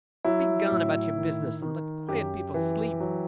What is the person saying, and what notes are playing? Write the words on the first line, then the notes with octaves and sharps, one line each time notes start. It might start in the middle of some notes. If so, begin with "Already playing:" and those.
"Begone about your business, and let quiet people sleep."
F#3 E4
A2
D#3
D#3
F#2 G4
E3
F#3